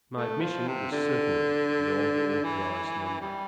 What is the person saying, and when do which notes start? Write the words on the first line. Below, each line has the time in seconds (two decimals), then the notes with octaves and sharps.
My admission was certainly beyond the authorised number.
0.16 A3
0.41 F3
0.68 C3
0.92 D3
2.44 E3
3.21 G3